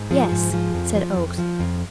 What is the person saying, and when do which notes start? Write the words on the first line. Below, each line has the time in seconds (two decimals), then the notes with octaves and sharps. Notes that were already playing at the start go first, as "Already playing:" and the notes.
"Yes," said Oakes.
Already playing: G#2
0.11 F3 G#4
0.32 G#2
0.53 F3
0.74 F2
0.95 F3
1.16 F2
1.38 F3
1.59 F2